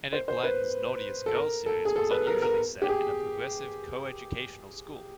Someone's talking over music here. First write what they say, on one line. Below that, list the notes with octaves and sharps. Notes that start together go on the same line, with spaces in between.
Enid Blyton's Naughtiest Girl series was unusually set in a progressive coeducational school.
C5
C5
B4
A4
A#4
A4
G#4
A4
B4
A#4
A#4
G4
G#4